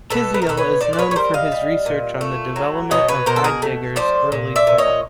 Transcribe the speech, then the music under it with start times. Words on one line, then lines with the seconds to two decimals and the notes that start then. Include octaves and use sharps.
Kisiel is known for his research on the development of Heidegger's early thought.
0.10 B2 A4 B4
0.34 B4
0.42 A#4
0.47 B2 A4 B4
0.57 B4 C#5
0.81 A#2 C5 D5
0.93 D5
0.99 B4 C#5
1.11 C#5
1.16 G3 A#4 C5
1.34 D#5 F5
1.52 G3
1.86 A#2
2.21 A3
2.56 F#3
2.91 B2 C#5 D#5
3.08 B4 C#5
3.26 B2 A#4 C5
3.36 A4
3.44 G#4 A#4
3.62 A3
3.96 F3 C5 D5
4.32 A#2
4.56 D5 E5
4.67 A#2
4.78 C#5 D#5